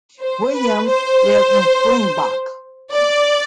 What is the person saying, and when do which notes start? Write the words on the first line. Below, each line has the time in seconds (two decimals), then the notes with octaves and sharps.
Williams lives in Springbok.
0.21 C5
0.54 B4
0.89 C5
2.94 D5